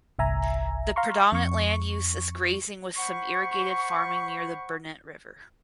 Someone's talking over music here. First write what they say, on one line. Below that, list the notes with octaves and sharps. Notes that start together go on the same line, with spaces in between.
The predominant land use is grazing with some irrigated farming near the Burnett River.
G1 C2 E5 G#5 A#5
F5 A#5 C6 C#6
F2 C#6
C5 F#5 B5 C#6